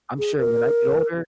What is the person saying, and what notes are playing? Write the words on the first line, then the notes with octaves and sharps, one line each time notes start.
I'm sure when I get older,
G#4
A#4